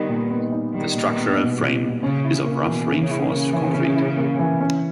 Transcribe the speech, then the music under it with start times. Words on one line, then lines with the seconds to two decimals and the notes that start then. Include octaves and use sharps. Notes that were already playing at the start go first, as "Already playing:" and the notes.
The structural frame is of rough reinforced concrete.
Already playing: D#3 G3 B3 D#4
0.08 A#2
0.30 B3
0.52 D#4
0.73 D#3 G3
0.94 A#2
1.06 D#3
1.17 B3
1.38 B2 D#4
1.59 G3
1.81 A#2
2.03 C#3 C#4
2.25 E4
2.45 A#3
2.67 B2 E3
2.88 C#4
2.99 C#3
3.11 E4
3.31 C#3 A#3
3.53 E3
3.74 C#4
3.96 E4
4.18 A#3
4.39 E3
4.61 C#4